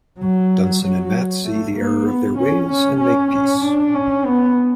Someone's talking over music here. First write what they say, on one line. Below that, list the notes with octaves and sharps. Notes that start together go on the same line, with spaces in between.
Dunson and Matt see the error of their ways and make peace.
F#3
F#3
A3
A#3
B3
C#4
C#4
C#4
C#4
D4
C#4
B3